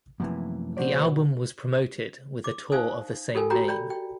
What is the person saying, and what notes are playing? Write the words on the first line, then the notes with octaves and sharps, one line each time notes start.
The album was promoted with a tour of the same name.
F#2 C3 E3 F3 A3 A#3
B2 F#4 C5 D5
D6
D#4 C5 F5 G#5 D#6
F4 G4 A4 A#4 G5 G#5
F#4 G4 C#5 G5 A#5 B5
C#5 D5 G5 B5
G5